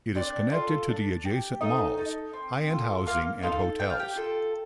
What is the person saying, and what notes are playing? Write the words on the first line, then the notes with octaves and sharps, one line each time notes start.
It is connected to the adjacent malls, high-end housing and hotels.
C4 D4 D5
F4 A4
D4
G4
A3 D#4 D#5
D#4 A4
C4
F4 A4
A#3 F4 F5
D#4 F4 A4 F5
D4 G5
F5
G4 G5
F4 A4